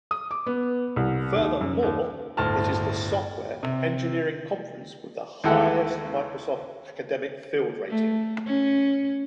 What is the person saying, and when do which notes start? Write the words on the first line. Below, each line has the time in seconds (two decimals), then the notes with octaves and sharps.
Furthermore, it is the software engineering conference with the highest Microsoft Academic field rating.
0.11 D#6
0.31 D6
0.46 B3
0.96 C2
1.36 D#2
1.61 F#2
1.83 D#2
2.37 G1 D2 A2 A5 F6
3.63 C3
5.44 D#2 E3 G#3 A3 A4 F#5
7.89 A3
8.46 C#4